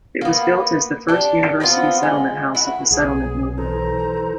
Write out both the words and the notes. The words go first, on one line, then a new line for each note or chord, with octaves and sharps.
It was built as the first university settlement house of the settlement movement.
A#3 B3
D4 G4
F3 B3 C4 F4
G#3
E4 F#4
B1 G#4
E3 A4 C5 A#5